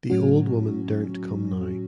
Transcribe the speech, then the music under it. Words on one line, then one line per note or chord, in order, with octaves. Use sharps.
The old woman daren’t come now.
A2 F#3 C#4 F#4